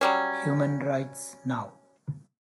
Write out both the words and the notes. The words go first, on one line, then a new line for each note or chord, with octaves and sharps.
Human Rights Now!
F#3 G3 C#4